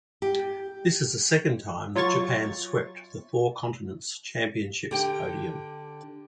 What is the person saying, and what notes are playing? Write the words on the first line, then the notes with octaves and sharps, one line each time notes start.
This is the second time that Japan swept the Four Continents Championships' podium.
G4
F#3 F4 C#5 C#6 A6
D3 G4 G5